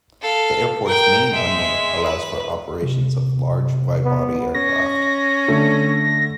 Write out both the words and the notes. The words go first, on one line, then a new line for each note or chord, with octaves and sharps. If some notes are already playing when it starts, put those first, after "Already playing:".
The airport's main runway allows for operations of large, widebody aircraft.
A4 F5
A#4 G5
G#3 E5
B4
C3
B3
C#4 A#6
D3 A3